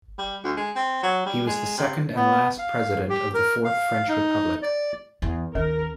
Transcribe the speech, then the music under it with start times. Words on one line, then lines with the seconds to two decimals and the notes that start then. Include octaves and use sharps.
He was the second and last president of the Fourth French Republic.
0.19 G3
0.44 D2
0.57 G#3
0.76 C4
1.03 F#3
1.26 G3
1.47 G#3
1.78 C3
2.16 B3
2.58 F5
3.09 G4
3.34 A#4
3.65 F5
4.08 D#4
4.62 D5
5.22 E2
5.55 D#2 D#3 A#4